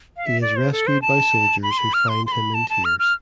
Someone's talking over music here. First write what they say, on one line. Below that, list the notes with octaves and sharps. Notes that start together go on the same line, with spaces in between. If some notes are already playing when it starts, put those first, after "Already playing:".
He is rescued by soldiers who find him in tears.
F5
E5
D5
C5
A4
C5
A5
B5
C6
B5
F6
C6
C6
B5
A5
A5
F6
F6